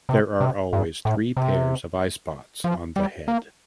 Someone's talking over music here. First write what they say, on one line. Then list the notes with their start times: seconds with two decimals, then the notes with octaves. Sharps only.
There are always three pairs of eyespots on the head.
0.09 C3
0.40 C3
0.73 G2
1.05 A2
1.37 C3
2.64 F3
2.96 G3
3.28 A#3